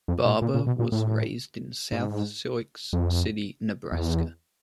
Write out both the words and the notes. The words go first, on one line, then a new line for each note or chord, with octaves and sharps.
Barber was raised in South Sioux City, Nebraska.
F2
A#2
A#2
A#2
B2
A#2
A2
G#2
F2
E2